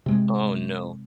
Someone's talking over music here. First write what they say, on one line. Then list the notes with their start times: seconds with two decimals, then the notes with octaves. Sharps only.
Oh, no.
0.06 C3 G#3